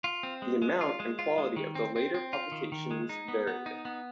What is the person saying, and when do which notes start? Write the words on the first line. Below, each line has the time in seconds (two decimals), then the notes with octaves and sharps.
The amount and quality of the later publications varied.
0.04 F4
0.23 C4
0.42 G#3
0.62 G#3
0.81 F4
1.00 G#3
1.19 F4
1.38 G#3
1.56 D#3
1.75 C4
1.96 C4
2.14 C4
2.33 F4
2.52 D#3
2.72 D#3
2.91 G#3
3.09 D#4
3.28 B3
3.47 B3
3.66 D#4
3.85 B3